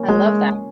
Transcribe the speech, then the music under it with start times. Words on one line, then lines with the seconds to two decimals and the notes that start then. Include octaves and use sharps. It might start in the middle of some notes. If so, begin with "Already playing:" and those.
I love that.
Already playing: A#3 C#4
0.08 G#3